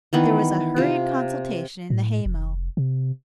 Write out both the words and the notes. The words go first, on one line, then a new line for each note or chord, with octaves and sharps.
There was a hurried consultation in the hay-mow.
D#3 E3 B3
C3 F4
A2
F1
C3